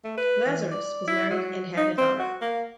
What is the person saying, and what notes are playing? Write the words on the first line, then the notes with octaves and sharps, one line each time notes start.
Lazarus was married and had a daughter.
A3
B4
E3
D5
E4
F#3
D#4
C4
F#4
A#3